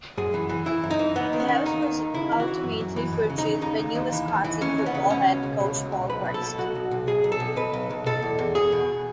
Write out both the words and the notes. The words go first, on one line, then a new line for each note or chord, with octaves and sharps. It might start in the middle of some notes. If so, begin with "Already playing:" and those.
The house was ultimately purchased by new Wisconsin football head coach Paul Chryst.
F#2 G#4
E3
E3
E3 E4
F#2
D#4
E3
D#2 B3
D#3
C#4
D#3
D#2 D#4
D#3
D#2
C#3 E4
E3
F#4
E3
F#2
F#2
E3
D#2
C#3
D#4
C#3
D#2 D#4
D#2
D#2
E3
D#2
E3
D#2 C#4
D#2
B3
C#3
B2 C#4
C#2
C#2
B2
C#2
C#2
B1 B4
B2
A4
B2
B1 F#4
B1
B1
B1 G#4
B1
A4
B1
B2 B4
B1
B1
B2 A4
E2
E2
E2 G#4
B2